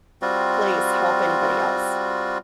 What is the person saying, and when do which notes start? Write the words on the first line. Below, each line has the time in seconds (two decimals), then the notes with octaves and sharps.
place, help anybody else.
0.22 G3 C4 F4 F#4